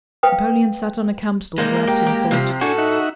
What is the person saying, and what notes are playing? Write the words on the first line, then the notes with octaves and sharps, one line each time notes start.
Napoleon sat on a campstool, wrapped in thought.
B4 F5 G5 D#6
G3 G#3 A#3 B3 A#4 C5
G4
G4
C3 F3 G3 F4
A2 D4 F#4 A4 G#5
D#4 E5 F#5